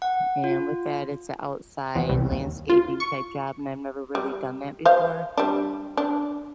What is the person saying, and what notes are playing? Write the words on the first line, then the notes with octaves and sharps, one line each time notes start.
and with that, it's a outside landscaping type job, and I've never really done that before.
F#5
F4
E2
C2
D#2
F4
C#6
G3
C5 F5
G3 D4
D4